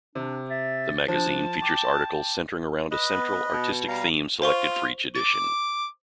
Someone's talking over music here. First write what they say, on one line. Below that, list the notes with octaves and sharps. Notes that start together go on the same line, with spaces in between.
The Magazine features articles centering around a central artistic theme selected for each edition.
C3 D4
E5 A6
F3 D4 A5
G5 D6
B4 D#5
B3
B2
G3 F5 A#5
F4 C5 C6 C#6
F7
D6 A6